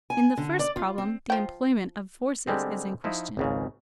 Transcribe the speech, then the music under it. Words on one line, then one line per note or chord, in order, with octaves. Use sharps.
In the first problem the employment of forces is in question.
G#5
D3
D5
F4
C4
F3 G5
D3 G3 G#3 C4
F3 D#4 E4
G#1 C#2 C#3